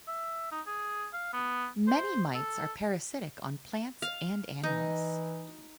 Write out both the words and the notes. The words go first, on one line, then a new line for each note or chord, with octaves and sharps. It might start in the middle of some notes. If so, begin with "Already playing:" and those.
Many mites are parasitic on plants and animals.
E5
D#4
G#4
F5
B3
C5
A4
F5
E3 D#4